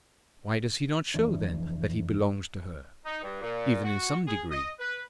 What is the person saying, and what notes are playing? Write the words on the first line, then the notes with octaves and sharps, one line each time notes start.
Why does he not show, then, that he belonged to her, even in some degree?
F1 E3 F3 D4
D#4
G2
A#2
F#4
G#4
D#5
B4